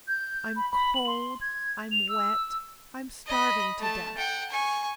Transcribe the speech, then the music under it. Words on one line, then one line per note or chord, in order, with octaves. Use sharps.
I'm cold, I'm wet, I'm starving to death.
G6
B5
B5
F#7
C6
G#6
F7
E6
D#5 B5
A3 A5
F#5 G5
G#5 C#6